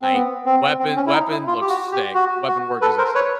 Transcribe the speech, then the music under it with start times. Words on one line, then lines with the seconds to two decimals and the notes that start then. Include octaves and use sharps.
Like, weapon weapon looks sick, weapon work is insane.
0.02 C4
0.13 B3
0.45 C4
0.80 C4
0.96 C#4
1.07 E4
1.13 D#4
1.30 E4
1.47 F4
1.61 G4
1.69 F#4
1.92 G4
2.15 F#4
2.48 F#4
2.81 A4 B4
2.98 A#4 C5
3.15 B4 C#5